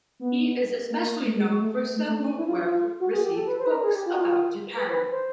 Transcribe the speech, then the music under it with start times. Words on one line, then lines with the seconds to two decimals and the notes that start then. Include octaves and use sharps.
He is especially known for several well-received books about Japan.
0.20 B3
0.90 A#3
1.25 A3
1.36 G#3
1.48 G#3
1.60 A3
1.95 A3
2.07 A3
2.19 D4
2.30 D4
2.38 E4
2.48 F4
2.65 F4
3.00 F#4
3.12 G#4
3.24 G4
3.35 A4
3.47 B4
3.59 C5
3.65 B4
3.71 A#4
3.83 G#4
3.95 G4
4.06 F4
4.13 F#4
4.21 F4
4.76 B4
4.89 C5
4.93 B4
5.11 C5